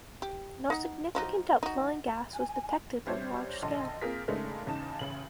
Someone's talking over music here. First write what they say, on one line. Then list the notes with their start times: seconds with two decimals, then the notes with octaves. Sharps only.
No significant outflowing gas was detected in the large scale.
0.22 G4
0.70 D#4 F#5
1.15 F3 F#3 D#4
1.63 D#4 F#4
2.33 G#5
3.07 G3 D4 C5 C#5 E5
3.62 A#1 D3 D#5 A5 C6
4.01 A#3 C4 F4 G#4 A#4 B6
4.28 C#3 G#3 A3 D4 D#4 A#4
4.66 E2 C#3 D#4 A5 E7
4.99 A1 C#3 F#7